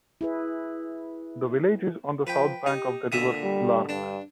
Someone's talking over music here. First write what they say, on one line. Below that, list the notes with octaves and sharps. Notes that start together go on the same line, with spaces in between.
The village is on the south bank of the River Lark.
E4 G#4 B4
F3 B4 G5
D#4 G4
A#2 D3 E5 D#6
G3
G2 D4